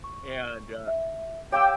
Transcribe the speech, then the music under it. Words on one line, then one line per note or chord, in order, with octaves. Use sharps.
and, uh,
C#6
E5
G4 C#5 F5 G5 D6 E6